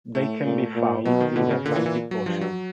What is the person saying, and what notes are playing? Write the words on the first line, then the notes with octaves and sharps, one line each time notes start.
They can be found in the Atlantic Ocean.
A2 A3
A#2
A#2
B2 F#3
D#3
B2 D3
C#3
A#2 D3
E3
E3
F#3
G2 F3
F#3